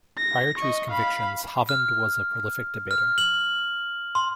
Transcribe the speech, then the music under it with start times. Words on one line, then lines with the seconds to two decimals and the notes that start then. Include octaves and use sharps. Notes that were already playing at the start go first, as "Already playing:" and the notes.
Prior to his convictions, Hovind was a prolific debater.
0.18 A#6
0.58 D#5 C#6
0.90 F5 B5
1.69 F6
2.91 F6
3.18 F#7
4.15 C6